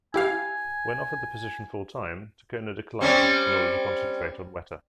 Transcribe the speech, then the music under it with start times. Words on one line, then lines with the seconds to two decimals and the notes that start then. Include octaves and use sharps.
When offered the position full-time, Tokona declined in order to concentrate on Weta.
0.14 E4 G4 F5 G#5
3.01 G3 C4 C#4